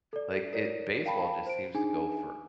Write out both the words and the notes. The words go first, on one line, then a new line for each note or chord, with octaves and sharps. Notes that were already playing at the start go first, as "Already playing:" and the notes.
like, it baseball just seems to go for
A4 D5
A#4 C#5 D5
A#4 F5 G5 A5 B5
C5 D7
D4 D#4 G#4 G#5